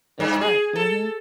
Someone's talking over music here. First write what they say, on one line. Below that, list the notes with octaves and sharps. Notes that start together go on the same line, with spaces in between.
That's right. Mhm.
G2
G#4
A4